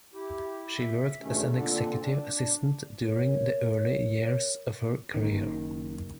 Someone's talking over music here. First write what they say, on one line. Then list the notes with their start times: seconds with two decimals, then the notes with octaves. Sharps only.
She worked as an executive assistant during the early years of her career.
0.14 E4 G4
0.76 E5
1.20 E2 G2 B2 D#3 A3 C#4
1.51 A#2 D3 C4 D4 A4
2.00 D4
3.04 A#4 C#5
5.14 F#1 D#3